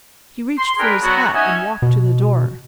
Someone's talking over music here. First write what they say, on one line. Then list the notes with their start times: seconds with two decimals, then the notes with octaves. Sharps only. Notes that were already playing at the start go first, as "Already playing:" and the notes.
He reached for his hat and walked to the door.
0.57 C6
0.79 D4 G#4 A#4 B4 G5 B5
1.01 F#3 B3 F#4
1.33 C#4 D#4 E5 F#5 G#5
1.82 B2